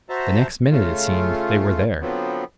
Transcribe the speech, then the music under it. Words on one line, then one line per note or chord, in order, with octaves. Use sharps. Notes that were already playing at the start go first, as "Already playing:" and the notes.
The next minute, it seemed, they were there.
F#4 C5 E5 A5 A#5
C#3 A3 F4
D3 F3 F#3 B3 C4